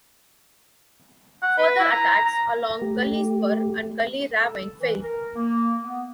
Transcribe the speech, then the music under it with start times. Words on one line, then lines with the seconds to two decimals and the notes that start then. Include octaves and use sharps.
Further attacks along Gully Spur and Gully Ravine failed.
1.42 F#5
1.58 B4
1.79 E4
1.91 A#5
2.25 A#5
2.82 A3 G4
4.41 A4
4.79 E3
5.02 A#4
5.35 A#3
5.83 B3